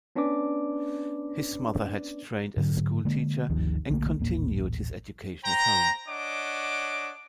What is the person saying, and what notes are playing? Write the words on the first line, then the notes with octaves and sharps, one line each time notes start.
His mother had trained as a school teacher, and continued his education at home.
B3 C#4 D4 B4 D5 D6
G#2 D3 F#3
D3 G#3 A#3
G1 D2 D#3 F3
B1 D3 A3 A#3
D#1 A1 A#3
C5 G5 A#5
D4 C#5 D#5 F#5 D6